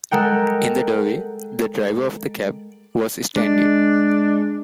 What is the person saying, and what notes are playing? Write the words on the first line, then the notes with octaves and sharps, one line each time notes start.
In the doorway the driver of the cab was standing.
G#3 A4 A#4 F#5 G5
G#3 D4